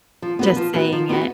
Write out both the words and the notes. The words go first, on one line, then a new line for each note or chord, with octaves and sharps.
just saying it
F3
B3 D#4 F#4 B4
F3
B3 D#4 F#4 B4
F3
B3 D#4 F#4 B4